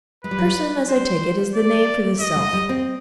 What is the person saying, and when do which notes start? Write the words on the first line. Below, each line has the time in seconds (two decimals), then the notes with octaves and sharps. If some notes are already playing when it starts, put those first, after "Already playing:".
PERSON, as I take it, is the name for this self.
0.24 G#3 B4
0.31 G3
0.38 F#3
0.45 G3
0.90 C5
1.55 D5
2.20 G#3 D#5
2.36 G#3
2.53 G3
2.69 C4